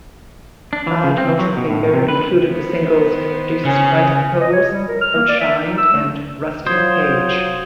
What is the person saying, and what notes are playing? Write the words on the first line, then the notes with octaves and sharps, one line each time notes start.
"Badmotorfinger" included the singles "Jesus Christ Pose", "Outshined", and "Rusty Cage".
D4
E3
C#3
C4
F#3
B2
A2
C3
B4
D#3 B3 C5
C#3 G#5
D#5
C#5
G3
A#4
F6
A#3
D5
E5
D#4
E6
A3
F#3 F4 C5 D#6 G#6